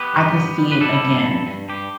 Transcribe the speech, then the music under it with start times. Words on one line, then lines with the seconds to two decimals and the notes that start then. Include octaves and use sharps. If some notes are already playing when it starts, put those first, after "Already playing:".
I could see it again,
Already playing: B3 G4 B4
0.14 G2
0.36 B3
0.58 G3
0.72 B4
0.81 G3 E4 A4
1.03 G2
1.24 G2
1.47 G2
1.69 G2 G4